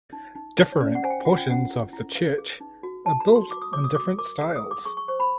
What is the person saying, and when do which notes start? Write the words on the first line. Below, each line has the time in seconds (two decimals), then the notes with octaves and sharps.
Different portions of the church are built in different styles.
0.13 D#4
0.35 D#4
0.58 D#4
0.72 C#5
0.80 C#4 D5
0.95 F#5
1.03 C5 G#5
1.10 G5
1.25 F4 F#5
1.38 G5
1.48 C#4 F#5
1.70 E4
1.93 E4
2.15 B4 F5
2.38 G#4
2.60 D#4
2.83 F#4
3.06 D#4 A5
3.20 A#5
3.28 F#4
3.36 C6
3.51 F#4 D6
3.62 D#6
3.73 C#5 D6
3.84 D#6
3.95 F#4 D6
4.18 A#4 D6
4.41 G#4 E6
4.56 D#6
4.64 G#4
4.71 D6
4.85 G#4 C#6
4.97 C#6
5.08 C5 C#6
5.20 B5